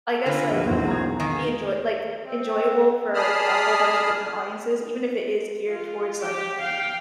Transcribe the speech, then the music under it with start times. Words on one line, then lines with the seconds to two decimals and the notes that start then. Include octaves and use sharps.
I guess like, you know, be enjoy like, enjoyable for a whole bunch of different audiences even if it is geared towards like,
0.12 A4
0.26 D3 A#3 F4 B4 G#5
0.51 E1 A#1 F#4 B4
0.66 B1 E2 C4 F#4 C5
0.88 A#5 G#6
1.20 D#3 F5 G#5
2.24 C4
3.14 G#4 D5 A5 B5 D#6 F6
5.68 F4
6.21 G4 G5
6.60 F5 G5